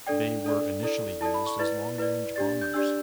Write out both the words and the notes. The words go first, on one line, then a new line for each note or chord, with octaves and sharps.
They were initially used as long-range bombers.
D4 A4 D5 G5
D4 A4 D5
E4 A4 D5
E4 A4 D5 A5
B5
C#6
E4 B4 D5 A6
E4 B4 D5
D4 G4 D5 A6
A6
G6
D4 G4 D5 E6